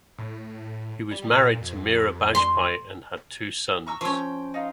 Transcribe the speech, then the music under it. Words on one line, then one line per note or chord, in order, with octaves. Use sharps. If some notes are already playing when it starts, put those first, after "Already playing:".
He was married to Meera Bajpai and had two sons.
A2
G3
A#2
F2
C6
A#5 C#6 E6
F3 C#4 C#6 E6
G5
D#4 F4